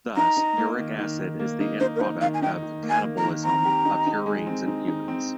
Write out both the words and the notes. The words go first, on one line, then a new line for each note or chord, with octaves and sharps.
Thus uric acid is the end product of catabolism of purines in humans.
D#4 A#5
D#4
A#3
D#3
D#3
D#3
A#3
D#4
D#4 C5
A#4
D#4 C5
D#3 F5
G#5
D#4 G5
D#3
A#3
G#5
A#3
A#5
D#3
C4 A#5
G4
D#4
D#4
G#3
C4
D#4
D#4
C4